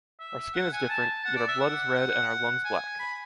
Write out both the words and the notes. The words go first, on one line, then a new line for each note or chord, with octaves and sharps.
Our skin is different, yet our blood is red and our lungs black.
E5
F#5
G#5
A5
F#5
D5
E5
F#5
F#5
G#5
B5